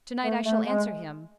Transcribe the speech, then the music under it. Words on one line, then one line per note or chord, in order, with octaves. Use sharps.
To-night I shall answer him.
A3
A3
G#3